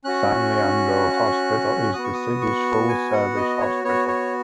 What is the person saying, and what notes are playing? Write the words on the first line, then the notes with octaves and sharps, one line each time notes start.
San Leandro Hospital is the city's full service hospital.
C#4 F#4 F#6
B3 F#4 D#6
C#6
D#6
C#6
G#5
F#5
D#5
C#5
B3 F#4 C#5
C#5